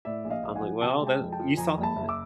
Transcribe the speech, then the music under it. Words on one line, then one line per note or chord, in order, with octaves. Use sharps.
I'm like, “Well, that “you saw that?
A2 D5 E5
A#1
D#5 F5
A#1
F#5 G#5
F3
C3 G5 A5
G#3
G5 A5
F2
G5 A5
F3
F2 G#5 A#5
F#1
A5 B5
F#1
D6 E6